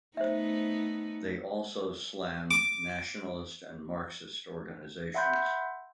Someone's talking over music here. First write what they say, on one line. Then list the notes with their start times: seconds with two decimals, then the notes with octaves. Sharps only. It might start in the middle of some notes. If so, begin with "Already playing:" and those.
They also slammed nationalist and Marxist organizations.
0.17 A3 B3 D#4 C5 E5
2.51 D6
5.14 E5 F#5 B5 C6 G6